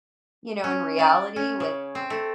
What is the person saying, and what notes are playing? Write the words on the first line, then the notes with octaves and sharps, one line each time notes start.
you know, in reality with
C#4
D5
C#4
C#3
C4
A3